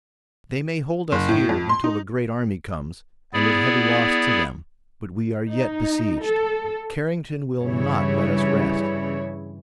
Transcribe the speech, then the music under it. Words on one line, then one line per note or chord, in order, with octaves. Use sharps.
They may hold us here until a great army comes, and with heavy loss to them, but we are yet besieged. Carrington will not let us rest.
F#1
A2
F2
C6
D#4
B3 E4 G#4 D5
D#4
A4
G2 C#3 E3 G3 E4 C#5